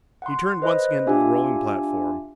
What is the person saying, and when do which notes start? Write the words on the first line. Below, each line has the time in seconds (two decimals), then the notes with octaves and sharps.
He turned once again to the rolling platform.
0.22 F#5 C6
0.62 B4 C5 D#5
1.06 D4 F4 G4 E5 G#5